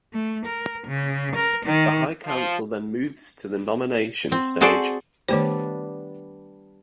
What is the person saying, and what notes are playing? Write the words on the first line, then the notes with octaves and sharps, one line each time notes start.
The High Council then moves to the nomination stage.
A3
A#4
C#3
A#4
D#3
F3
C4
F#4 G#4 A4 C5 D5
D#3 G3 A3 B3 D4 C5